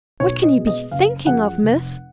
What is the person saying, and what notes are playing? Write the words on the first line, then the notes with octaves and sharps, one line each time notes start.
What can you be thinking of, Miss?
B1 C#5
D#5
B2 G#3
D#5
F#1 F5
F#2 F3 G#3 F#5
F1